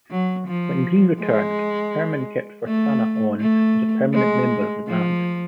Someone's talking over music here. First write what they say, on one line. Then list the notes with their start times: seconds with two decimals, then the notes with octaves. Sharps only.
When Green returned, Herman kept Fontana on as a permanent member of the band.
0.10 F#3
0.47 F3
1.20 G#3
2.67 A3
3.40 A3
4.14 G#3
4.87 F3